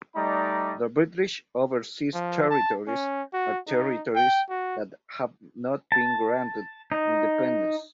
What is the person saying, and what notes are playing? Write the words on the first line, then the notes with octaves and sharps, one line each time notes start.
The British Overseas Territories are territories that have not been granted independence.
G3 A3 D#4 D5 D#5 A#5
F3
A5
C#4
F#4
D#4
G5
F#4
A5
D#4